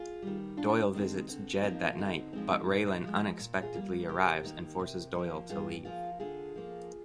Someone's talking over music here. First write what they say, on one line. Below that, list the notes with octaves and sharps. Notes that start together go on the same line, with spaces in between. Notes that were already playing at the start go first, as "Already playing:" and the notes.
Doyle visits Jed that night but Raylan unexpectedly arrives and forces Doyle to leave.
Already playing: F4 G#4
D#3 G3
F2 D4 F4
D#3 G#3 C4 D4
D3 C4
F3 A#3 C4 D#4
D3 C4 D#4
F3 G#3 C4
A#2
F3 G#3
A#2
F4 G#4
G3 A#3
C3 G4 A#4
D#3 A#3
C3
F3 A#3
G2 F4 G#4
F3 A#3 F4 G#4
D3 F4 G#4
F3 A#3